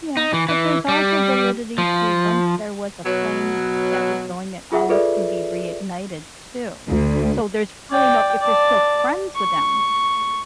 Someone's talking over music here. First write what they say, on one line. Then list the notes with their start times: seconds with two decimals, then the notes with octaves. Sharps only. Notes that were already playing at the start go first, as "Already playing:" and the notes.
Yeah, but there's also validity to once there was a flame that was going, it always can be reignited too. So, there's really no if you're still friends with them,
0.17 D#4
0.33 E3
0.49 E3
0.88 G3
1.78 F3
3.05 B2 F#3
4.72 F4 G#4 E5 F#5
4.89 F4 G#4 A4 B4 D5 E5
6.88 D2
7.91 D5 G5
8.40 D5 A5
9.36 C#6